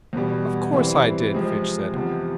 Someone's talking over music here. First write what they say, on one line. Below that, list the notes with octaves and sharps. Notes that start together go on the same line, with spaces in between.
"Of course, I did," Fitch said.
E2 B2 G3
E3 G3 C4
C3 F3 G#3 C4
E2 C3 F3